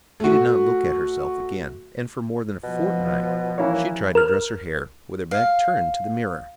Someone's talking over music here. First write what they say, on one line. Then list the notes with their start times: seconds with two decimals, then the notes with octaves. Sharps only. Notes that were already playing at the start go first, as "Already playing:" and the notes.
She did not look at herself again, and for more than a fortnight she tried to dress her hair with her back turned to the mirror.
0.20 A3 F#4
2.63 B2 F3
3.58 E3 A#3 E4 C#5
4.15 A#4 F6
5.31 F5